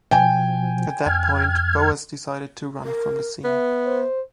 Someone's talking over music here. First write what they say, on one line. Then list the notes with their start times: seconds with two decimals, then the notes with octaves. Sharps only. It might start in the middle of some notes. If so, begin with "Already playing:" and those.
At that point, Boas decided to run from the scene.
0.11 B2 F3 G5 G#5
1.06 F2 F6 G#6
2.83 A#4
3.44 B3 E5
3.87 C5